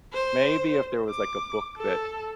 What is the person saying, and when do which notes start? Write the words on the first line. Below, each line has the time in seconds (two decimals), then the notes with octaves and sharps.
Maybe if there was, like, a book that
0.13 C5
1.10 D6
1.77 A4